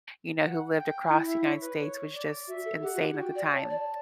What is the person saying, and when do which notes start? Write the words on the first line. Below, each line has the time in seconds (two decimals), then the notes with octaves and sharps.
you know, who lived across United States was just insane at the time.
0.39 F#5
0.73 G5
1.08 E4 G5
1.26 E5
1.43 C#5
1.61 B4
1.78 C#5
2.13 D5
2.47 F#4 E5
2.65 A4
2.82 G4 F#5
2.93 F#4
3.00 G4
3.13 E4
3.17 F#4 G5
3.35 D5
3.52 C#5 A5
3.70 D5